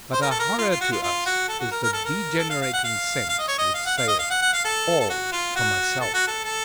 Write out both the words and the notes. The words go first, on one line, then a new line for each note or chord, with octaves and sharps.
But a horror to us is the degenerating sense, which saith: "All for myself."
C5
A#4
A4
A#4
F4
F4
F#4
F4
F4
F#4
A4
F#4
A#4
A#4
A4
A#4
A4
F5
F5
F#5
F5
F5
D#5
C#5
D#5
F5
F#5
F5
D#5
F5
F#5
F#5
F5
A4
A4
F#4
F4
F#4
A4
F#4
A4
A4